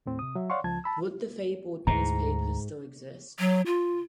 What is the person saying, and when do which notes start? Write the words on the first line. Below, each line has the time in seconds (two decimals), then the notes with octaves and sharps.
Would the fabled newspaper still exist?
0.06 D#2 A2 C4
0.19 C3 D#6
0.35 F#3 E5
0.50 C#5 D5 F5 F#5 C6 C#6
0.64 C#2 F3 A5 G#6
0.84 A5 B5 E6
1.87 D2 G#2 A#5
3.39 F#3
3.66 F4